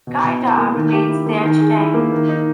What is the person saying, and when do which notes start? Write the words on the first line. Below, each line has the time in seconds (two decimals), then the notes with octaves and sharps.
Guida remains there today.
0.07 B2
0.24 B2
0.42 E4
0.58 A#3
0.75 D#3
0.92 G4
1.09 E4
1.26 A#3
1.43 D#3
1.60 G#4
1.77 E4
1.94 A#3
2.12 D#3
2.29 D#4